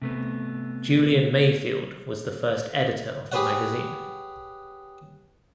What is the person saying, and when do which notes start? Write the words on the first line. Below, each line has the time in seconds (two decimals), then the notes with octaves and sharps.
Julian Mayfield was the first editor of the magazine.
0.02 C3 A3 B3
3.32 G4 G#4 B4 C#5 F#5